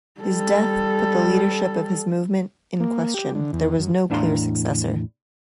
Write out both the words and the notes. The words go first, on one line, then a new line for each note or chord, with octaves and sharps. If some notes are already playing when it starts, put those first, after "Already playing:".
His death put the leadership of his movement in question-there was no clear successor.
G3 A4
A#3
G4
D3
E2
F#2
E2 A2 D4 F5 A#5 C6